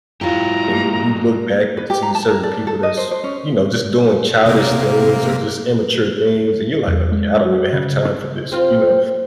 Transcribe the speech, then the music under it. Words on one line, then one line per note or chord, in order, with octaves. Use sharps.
and when you look back and see certain people that's, you know, just doing childish things or just immature things and you're, like, "Oh I don't even have time for this, you know?
G#2 F#3 E4 F4 G4 A#5
A3 A#3
B4
G4
A#5
A5
A#4
D5
A4
D#5
C5
C5
C#4
C3 A#3
E2
G#3
F#4
C#3
C4 F4